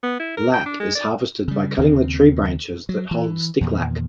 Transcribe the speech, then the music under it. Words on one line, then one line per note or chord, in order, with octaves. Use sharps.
Lac is harvested by cutting the tree branches that hold sticklac.
B3
E4
A#4
G5
D4
G#3
D5
C#3 G3
D#2 C#3 C4
F#3
E3
E2 A#2 D#3